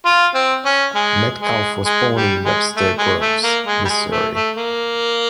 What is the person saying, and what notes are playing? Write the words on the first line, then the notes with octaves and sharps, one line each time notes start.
Metcalf was born in Webster Groves, Missouri.
F4
C4
C#4
G#3
G#3
G#3
G3
G#3
A3
G#3
A3
A#3
G#3
G3
G#3
A3
A3
A#3